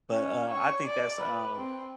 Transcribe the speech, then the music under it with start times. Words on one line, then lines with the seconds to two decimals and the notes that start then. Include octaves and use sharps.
But, uh, I think that's, um,
0.11 C#4
0.50 C#5
0.86 D5
1.20 B4
1.58 C4